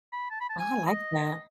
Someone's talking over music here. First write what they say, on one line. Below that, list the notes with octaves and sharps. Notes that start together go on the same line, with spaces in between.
I like that.
B5
A5
B5
A5
G#5
D#5